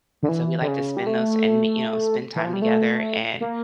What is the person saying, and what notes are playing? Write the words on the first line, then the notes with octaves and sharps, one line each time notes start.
and so we like to spend those in, you know, spend time together and
D3
E3
D3
C#3
G3
A3
E3
F3
G3
A3
A#3